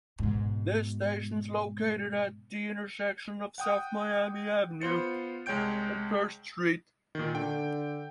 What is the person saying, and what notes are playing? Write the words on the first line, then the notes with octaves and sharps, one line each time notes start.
This station is located at the intersection of South Miami Avenue and First Street.
G#2 B2
F#5 G5 D#6
B3 F4 C5 C#7
C2 G#3 C#5 G5 G6 D7
A#2 D#3
D3 G5